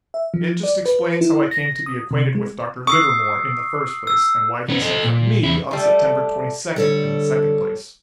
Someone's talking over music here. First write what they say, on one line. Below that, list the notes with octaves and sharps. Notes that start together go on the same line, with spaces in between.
It just explains how I came to be acquainted with Dr. Livermore, in the first place, and why he sent for me on September twenty-second, in the second place.
E5
F3
D5
B4
E4
A#6
D#6
C3
G#3
C#6 D#6 E6 C7
E6
B3 C#4
A4 D#5
A#2
E2 E4
G3 A3
D3 G3 A4 C#5